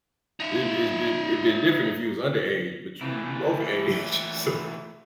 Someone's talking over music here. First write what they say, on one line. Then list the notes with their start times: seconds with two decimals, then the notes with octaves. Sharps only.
it it's been it'd been different if he was underage, but you you overage, so
0.40 D#4 E5
3.01 A#2 E3 A3 E4